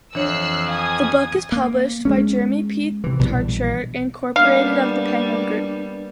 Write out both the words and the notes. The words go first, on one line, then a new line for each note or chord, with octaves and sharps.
The book is published by Jeremy P. Tarcher Incorporated of the Penguin Group.
F2 E3 D4 C#5 E6 F#6 C7
F5 G#5 D#6 G#6
A#3
G#3 A3 C#4
C3 E3
A#1 B2 E3 G3
G3 A#3 B3 D4 F5